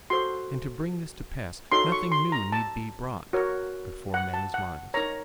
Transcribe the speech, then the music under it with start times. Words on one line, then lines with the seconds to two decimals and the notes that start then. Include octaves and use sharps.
And to bring this to pass, nothing new need be brought before men's minds.
0.10 F#4 A4 C5 C6
1.72 D#4 F#4 A4 C#5 C6
1.92 C#6
2.12 C6
2.32 A#5
2.52 A5
3.33 F#4 A#4 C#5
4.14 F#5
4.34 A5
4.54 F#5
4.94 D#4 A#4 C#5 A#5